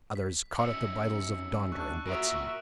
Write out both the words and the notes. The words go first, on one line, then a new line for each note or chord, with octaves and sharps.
Others caught at the bridles of Donder and Blitzen.
B6
F#2 D#3 E6 C#7
D4 C#6 F#6
E2 A#2 F#4 A#4 E5 D#6 E6 D7